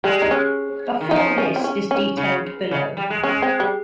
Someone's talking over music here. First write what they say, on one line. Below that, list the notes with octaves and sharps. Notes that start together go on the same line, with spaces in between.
A full list is detailed below.
G3 G#3
D#4
C#4
D#3
F3 D#4
C#4
C4
C#4
C#4
C#3
C#3
G3
G#3
G#3 C#4
C4
G3